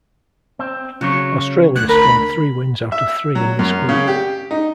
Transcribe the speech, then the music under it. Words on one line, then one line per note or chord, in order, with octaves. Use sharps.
Australia scored three wins out of three in this group.
C4
C#3 F#3 F#4 C#5
D2 F#6
A#4 B5
E5
F#3
F#2
C#3
G4
D#4